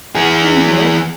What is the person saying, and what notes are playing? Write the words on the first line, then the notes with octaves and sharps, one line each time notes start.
Hang it all!
E3 G#4